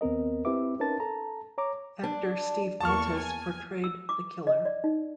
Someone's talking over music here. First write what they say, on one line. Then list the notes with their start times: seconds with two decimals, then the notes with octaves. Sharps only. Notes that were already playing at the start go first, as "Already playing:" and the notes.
Actor Steve Altes portrayed the killer.
0.01 D#2 B3 C4 A#4 D#5
0.45 C4 E4 G4 B4 E5 D6
0.80 C#4 D#4 A#4 B4 A5 A6
1.00 A4 A5 A#5
1.58 C#5 A#5 D6
2.03 D4
2.81 E2 A#3 A5 C#6 F6
3.16 G#5
3.84 E6
4.09 D6
4.47 D#5
4.65 D5
4.84 D#4